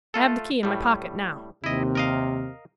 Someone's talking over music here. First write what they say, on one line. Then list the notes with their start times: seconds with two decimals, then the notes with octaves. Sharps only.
I have the key in my pocket now.
0.14 A3 F4 A4
0.63 A2 G3
1.64 D#2 C3 E4 D#5
1.95 A#4 D#5 F5